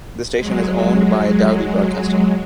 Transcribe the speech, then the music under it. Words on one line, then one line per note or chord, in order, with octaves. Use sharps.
The station is owned by Dowdy Broadcasting.
F#3 G#3